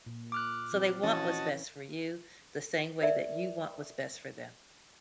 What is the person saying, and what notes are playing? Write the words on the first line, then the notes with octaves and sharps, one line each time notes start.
So they want what's best for you the same way that you want what's best for them.
A#2
D6 F6 F#6
F3 C4
E3 C#4 F#4 C#5 D#5 A5
A#4 D5 E5